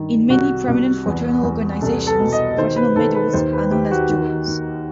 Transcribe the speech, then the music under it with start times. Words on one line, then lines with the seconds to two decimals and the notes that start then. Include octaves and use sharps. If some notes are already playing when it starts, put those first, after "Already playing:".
In many prominent fraternal organisations, fraternal medals are known as "jewels".
Already playing: G2 D#3
0.30 C2 F#4
0.68 C2
1.06 E2
1.43 E2
1.81 C2 A4
2.07 A4
2.20 B2
2.32 D#5
2.57 D#3 C5
2.76 B4
2.96 D#3 A4
3.15 B4
3.33 D#2 C5
3.53 B4
3.71 D#3 G4
3.91 F#4
4.09 D#3
4.48 D#3